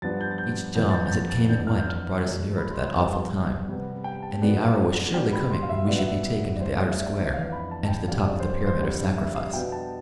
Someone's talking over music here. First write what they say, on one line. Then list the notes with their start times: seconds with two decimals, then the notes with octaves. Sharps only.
Each jom as it came and went brought us nearer to that awful time, and the hour was surely coming when we should be taken to the outer square and to the top of the pyramid of sacrifice.
0.02 G2 F3 B3 D4 A6
0.21 G6
0.31 A6
0.38 G6
0.75 F2 D3 F3 B3 D4 G6
0.90 A6
0.94 G6
1.06 G6
1.12 A6
1.30 A6
1.49 F2 E3 B3 D4 G6
1.67 F6
1.78 G6
1.89 F6
2.21 E2 B2 A3 D4
2.58 B5
2.71 C6
2.83 B5
2.94 G2 F3 B3 A5
3.68 C3 G3 B3
4.04 G5
4.22 A5
4.42 B2 B3 D4
5.14 B2 G3 B3 D4 G5
5.33 B5
5.51 C6
5.63 F5
5.69 E5
5.87 B2 B3 D4 D5
5.99 E5
6.11 D5
6.56 D5
6.61 A2 G3 D4 C5
6.80 D5
6.91 E5
7.02 D5
7.34 F2 E3 B3 D4 F5
7.52 B5
7.71 A5
7.85 A5
7.88 G5
8.08 F2 D3 G3 F5
8.26 D5
8.40 C5
8.67 C5
8.80 F2 D3 G3
9.17 E5
9.35 F5
9.54 B2 B3 D4 G5
9.72 A5